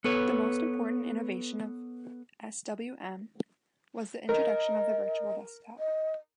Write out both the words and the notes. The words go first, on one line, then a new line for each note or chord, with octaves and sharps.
The most important innovation of swm was the introduction of the virtual desktop.
B3 A4 B4 C#5
A#4 D#5
D#5